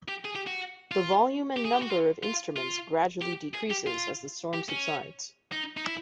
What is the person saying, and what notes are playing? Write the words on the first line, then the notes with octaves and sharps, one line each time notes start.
The volume and number of instruments gradually decreases as the storm subsides.
G4
G#4
G4
F#4
F4
G4
G#4
G4
F#4
F4
F4
F4
G4
G#4
G4
F4
G4
C#4
D#4
D#4
E4